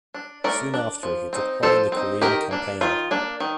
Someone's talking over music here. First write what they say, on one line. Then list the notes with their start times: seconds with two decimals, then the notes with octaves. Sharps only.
Soon after, he took part in the Korean Campaign.
0.14 D4
0.44 A3 A#4 D5
0.74 D4
1.03 F3
1.33 C4 D#4
1.63 F3 A4 C5
1.92 C4 D#4
2.22 D#3 G4 A#4
2.51 A#3 D4
2.81 D#3 F4
3.11 A#3 D4
3.40 D#3